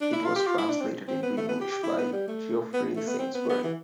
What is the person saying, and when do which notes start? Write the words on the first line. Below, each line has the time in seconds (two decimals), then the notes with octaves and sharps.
It was translated into English by Geoffrey Sainsbury.
0.01 D4
0.13 E4
0.24 F4
0.35 G4
0.47 F4
0.58 E4
0.69 D4
0.81 C4
1.07 C4
1.22 B3
1.37 A3
1.48 B3
1.60 G4
1.71 G4
1.83 E4
1.98 B3
2.13 G3
2.28 A3
2.73 B3
2.96 A3
3.07 B3
3.19 C4
3.34 B3
3.49 B3
3.63 E3